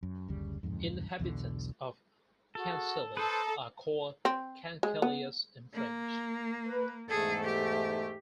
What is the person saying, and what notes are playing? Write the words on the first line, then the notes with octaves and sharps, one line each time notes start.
Inhabitants of Cancale are called "Cancalais" in French.
F#2
F#1 D2 C#3 G3
D1 G1 F2 G#2
B1 E2 B2 D3
F#4 G#4 A4
A4 B4 C5 A#5 D#6
C4
G#3
B3
A#3
B4
E2 G#2 A3 G#4 A4
G4